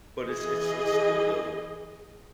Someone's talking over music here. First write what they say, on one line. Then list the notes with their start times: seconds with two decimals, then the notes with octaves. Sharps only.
But it's it's it's still though,
0.25 E3 G#4 D#5